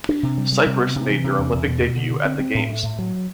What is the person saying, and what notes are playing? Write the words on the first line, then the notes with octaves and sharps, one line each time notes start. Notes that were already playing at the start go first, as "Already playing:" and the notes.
Cyprus made their Olympic debut at the games.
D4
C3
G3
G3
C3
B3
C3
E3
C3
E2
E2
B2
B2
D3
D3
C4
C4
A2
A3
A2
F#3